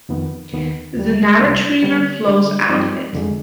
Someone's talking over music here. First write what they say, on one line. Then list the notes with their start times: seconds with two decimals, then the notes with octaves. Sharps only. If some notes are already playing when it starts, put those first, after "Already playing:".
The Narach River flows out of it.
0.09 F2 D#3 B3
0.53 D#2 D#3 B3
0.96 D#2 D3 G3
1.39 C2 C3 G3 D4
1.83 D3 G3 B3
2.27 D3 G3 D4
2.69 G2 F3 C4 D#4
3.13 F2 D3 G#3